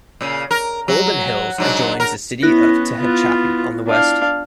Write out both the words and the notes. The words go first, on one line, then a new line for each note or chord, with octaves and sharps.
Golden Hills adjoins the city of Tehachapi on the west.
A#2 C#3
A#4
F#3
G#2 F#3 D4
A#4
B3 C#4 E4 F#6 A#6
B3 F4
D4 F5